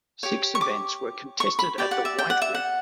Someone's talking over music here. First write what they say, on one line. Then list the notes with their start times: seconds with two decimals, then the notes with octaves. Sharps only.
Six events were contested at the White Ring.
0.23 G4 C#5
0.55 C#6
0.61 D6
1.40 C#6
1.59 B5
1.78 G4 D5 G5
1.91 F#5
2.05 E5
2.18 G5
2.30 F#5
2.42 E5
2.55 F#5